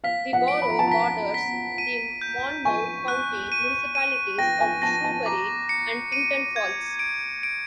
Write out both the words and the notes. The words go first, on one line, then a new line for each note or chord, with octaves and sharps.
The borough borders the Monmouth County municipalities of Shrewsbury and Tinton Falls.
F5 B6
F#5
D7
B5
A#5
A5
A#5 B6
B6
D#7
G6
G#5 C#6
F#6
D#7
D#7
G5 A#6
G#5
A5 A#6
A5
A#5 D6
C#7
D#7
G#6
D7
D7